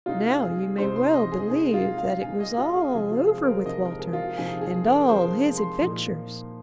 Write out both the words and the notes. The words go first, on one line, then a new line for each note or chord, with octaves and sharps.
Now you may well believe that it was all over with Walter and all his adventures.
C3 G#3 D#4 F4
G#4
C3 G#3 D#4 C5
C6
D#5
G#4
C3 G#3 D#4 G#4
F4
F5
C3 G#3 D#4 G#5
D#5
F4
G#4
C3 F3 G#3 D#4 G#4
F4
G#4
A#4
C5
C3 F3 G#3 D#4 D#5
A#4
G#4
F4
C3 F3 G#3 D#4 G#4
G#4
A#4
C3 F3 G#3 D#4 C5
C6
A#2 F3 A#3 D#4